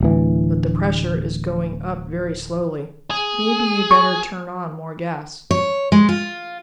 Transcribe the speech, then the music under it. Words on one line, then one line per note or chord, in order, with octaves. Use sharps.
"But the pressure is going up very slowly. Maybe you'd better turn on more gas."
D1 D2 E3
G#4
C#6
C#5
G#3
F4